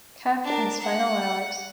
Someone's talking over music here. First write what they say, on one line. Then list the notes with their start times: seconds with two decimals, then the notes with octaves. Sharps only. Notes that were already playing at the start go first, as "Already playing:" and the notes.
Cap in his final hours.
0.44 D4 A#4
0.80 F#5